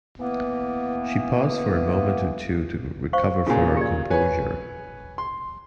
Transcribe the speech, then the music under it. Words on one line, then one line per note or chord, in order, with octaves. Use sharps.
She paused for a moment or two to recover her composure.
E3 A#3 B3
C5 F5 C#6
A#2 C#3 F4 F#4 G#5
G4 D5
B4 C#5 G#5
C6